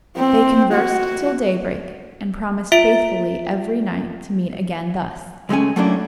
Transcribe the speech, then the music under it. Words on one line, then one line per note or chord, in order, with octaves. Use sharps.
They conversed till daybreak, and promised faithfully every night to meet again thus.
C4
F#4
F4 E5 D7
C#2 G#3 A3 C#4 G#5
F#3 A3 A#3 C#4 D4 E4